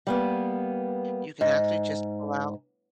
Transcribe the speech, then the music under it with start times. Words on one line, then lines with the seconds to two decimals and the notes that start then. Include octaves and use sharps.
you can actually just pull out
0.07 G3 A#3 B3
1.41 G#2